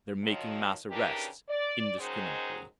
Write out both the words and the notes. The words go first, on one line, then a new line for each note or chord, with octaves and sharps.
They're making mass arrests, indiscriminately.
D#3 F3 F#3
C#3 E3 D4 D#4 G4 A#4
D5
D#3 F#3 G#3 C#4 G#4 C5